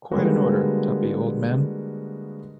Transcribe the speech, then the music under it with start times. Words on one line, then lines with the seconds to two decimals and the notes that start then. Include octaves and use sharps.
Quite in order, Tuppy, old man.
0.12 D3 G3 G#3 A#3 B3 F#4